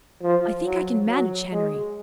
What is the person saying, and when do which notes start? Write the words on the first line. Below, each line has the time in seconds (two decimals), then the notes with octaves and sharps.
I think I can manage Henry.
0.22 F3
0.64 F#3
1.08 F#3
1.52 G#3